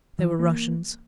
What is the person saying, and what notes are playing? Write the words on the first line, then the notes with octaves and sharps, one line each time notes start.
They were Russians.
E3
A#3